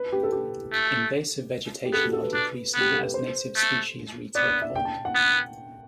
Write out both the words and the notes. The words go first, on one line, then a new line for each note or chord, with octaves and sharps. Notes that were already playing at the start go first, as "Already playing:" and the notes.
Invasive vegetation are decreasing as native species retake hold.
Already playing: B4
G4
A4
G4
A3
G4
B3 A4
F#4
A4
B4
D4
B3
G4
A4
B4
C5
A3
B3 D5
D5
E5
G5
A5
F#5
B3